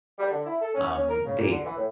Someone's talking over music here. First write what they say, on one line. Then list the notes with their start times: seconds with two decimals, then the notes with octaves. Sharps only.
um, dating.
0.19 G3
0.31 D3
0.46 E4
0.61 A4
0.74 C#4
0.94 C#4
1.08 A#4
1.25 C#3
1.37 A#2
1.50 D3
1.65 E3
1.76 A2